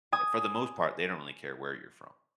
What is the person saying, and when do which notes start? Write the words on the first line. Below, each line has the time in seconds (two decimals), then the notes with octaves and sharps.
for the most part, they don't really care where you're from.
0.12 G#5 D#6